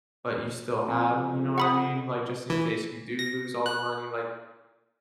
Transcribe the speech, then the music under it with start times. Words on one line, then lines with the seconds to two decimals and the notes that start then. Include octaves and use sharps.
but you still have, you know what I mean, like, just in case you do lose all the money, like
0.87 F2
1.58 F#5 B5 D#6
2.50 E3
3.19 A#6
3.66 F#6